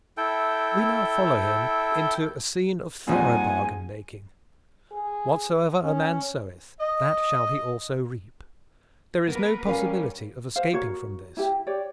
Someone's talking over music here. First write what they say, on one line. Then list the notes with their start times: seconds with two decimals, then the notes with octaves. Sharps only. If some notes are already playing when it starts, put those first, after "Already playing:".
We now follow him into a scene of thorough bargain-making. "Whatsoever a man soweth, that shall he also reap." There is no possibility of escaping from this.
0.17 E4 A4 G5
3.07 F2 A#2 G3 D#4 G#4 F#5 G#5
4.92 G#4
5.84 C#4
6.81 D#5
9.28 A#3 B3 A#4 B4
9.66 G3 C#4 A#4 F5 G#5
10.56 C5 F5
10.73 F#4 A#4 C#5
11.37 E4 G4 G5
11.67 G4 C#5 D5